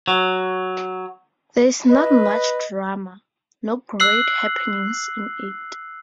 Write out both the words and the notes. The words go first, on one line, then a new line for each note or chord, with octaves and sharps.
There's not much drama, no great happenings in it.
F#3
B4 D#5
E6 F#6 C7 F#7